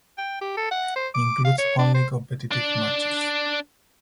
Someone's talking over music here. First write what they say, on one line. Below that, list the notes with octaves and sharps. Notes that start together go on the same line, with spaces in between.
Includes only competitive matches.
G5
G4
A4
F#5
C5
D6
F5
C#5
D4
C5
D4 D5